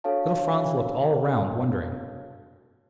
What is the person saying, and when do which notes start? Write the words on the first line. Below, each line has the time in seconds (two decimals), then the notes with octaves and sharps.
Little Franz looked all round, wondering.
0.04 D4 F#4 A4 C#5 F5 A5